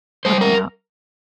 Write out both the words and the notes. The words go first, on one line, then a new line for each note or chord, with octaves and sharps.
looking out.
G3 C5
A#4